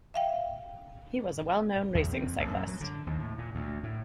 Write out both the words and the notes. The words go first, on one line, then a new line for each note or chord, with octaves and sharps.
He was a well-known racing cyclist.
E5 F5 G5
E2
C4
F2
A1
F#2
F#3
D3
D#2
A2
A#2
D2
A2